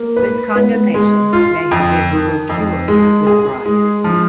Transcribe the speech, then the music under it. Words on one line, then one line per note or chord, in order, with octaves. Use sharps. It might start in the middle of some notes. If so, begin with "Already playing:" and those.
This condemnation may have been procured with bribes.
Already playing: A#3
B4
B3
G#3
F4
F2
D#3
F2
G#3
G#4
G#3
F3